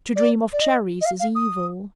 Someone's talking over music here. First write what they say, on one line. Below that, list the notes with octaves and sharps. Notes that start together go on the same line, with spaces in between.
To dream of cherries is evil.
D5
D5
D#5
D#5
F5
F5
D#6